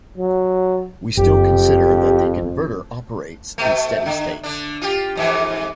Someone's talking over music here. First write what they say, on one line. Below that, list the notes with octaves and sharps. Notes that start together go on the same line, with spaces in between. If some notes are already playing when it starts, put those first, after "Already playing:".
We still consider that the converter operates in steady state.
F#3
F#1 F2 G4
B2 A3
D3
D3 D4
F4 G4
F2 G#2 E3